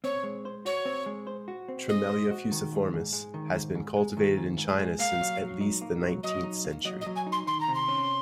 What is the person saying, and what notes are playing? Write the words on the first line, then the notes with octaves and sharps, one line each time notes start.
"Tremella fuciformis" has been cultivated in China since at least the nineteenth century.
C4 C#5
G#3
C5
F#4 C#5
C4
G#3
C5
F#4
C4
G#3 D#5
C5
F#4
D#3
G#2
G#2
G#3
D#3
G#2
G#2
G#3
D#3
G#2
G#2
G#3
A#3 F5
F#3
F#3
D#4
A#3
F#3
F#3 D#5
D#4
A#3
F#3 D#5
D#5
F#3
G#5
D#4
C6
D#3 C6
A#5
C3
C6
C#4